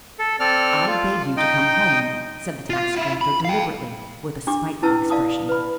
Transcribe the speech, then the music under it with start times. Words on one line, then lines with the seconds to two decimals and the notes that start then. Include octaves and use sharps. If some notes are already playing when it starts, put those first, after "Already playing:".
"I beg you to come home!" said the tax-collector deliberately, with a spiteful expression.
0.19 A4
0.40 C4 A4 D5 F6
0.87 F4
1.37 D#4 D#5 G5
2.70 F4 F5
2.97 E4 F4
3.21 B5
3.45 F5 G5
4.47 D4 G4 D6
4.82 C#4 E4 B4 A5 E6
5.10 D5 F5 A5 D#6
5.49 B4 B5